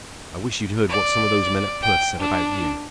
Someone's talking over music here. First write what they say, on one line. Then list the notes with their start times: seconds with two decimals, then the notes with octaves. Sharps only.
"I wish you'd heard what some of those men at Perth said about you."
0.88 D5
1.81 G5
2.19 D4